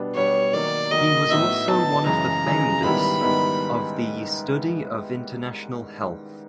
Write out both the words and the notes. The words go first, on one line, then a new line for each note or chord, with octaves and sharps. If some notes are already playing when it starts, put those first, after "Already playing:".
He was also one of the founders of the study of international health.
Already playing: B2 G3 B3 D4
B2 G3 B3 D4 C#5
D#3 F#3 A#3 D5
D#3 F#3 A#3 D#5
A2 F#3 B3 D#4 E5
A2 F#3 B3 D#4 A5
F#2 C#3 E3 G#3 A#5
F#2 C#3 E3 G#3
G#2 D#3 G3 B3 E4 B5
G#2 D#3 G3 B3 E4